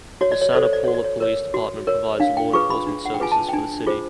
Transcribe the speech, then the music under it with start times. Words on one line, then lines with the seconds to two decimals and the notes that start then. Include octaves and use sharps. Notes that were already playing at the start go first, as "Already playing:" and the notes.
The Santa Paula Police Department provides law enforcement services for the City.
0.21 F#4 C#5
0.32 D5
0.42 C#5
0.52 A4 C5 D5
0.63 C#5
0.73 D5
0.84 F#4 C#5
0.94 D5
1.04 C#5
1.20 A#4 C#5
1.54 F#4
1.87 A#4 C#5
2.20 D4 F5
2.37 G5
2.53 F4 G#4 B4 C#6
2.70 B5
2.87 D4
3.05 F#5
3.14 G5
3.20 F4 G#4 B4 G#5
3.32 A5
3.49 G5
3.53 D4 G#5
3.86 F4 G#4 C5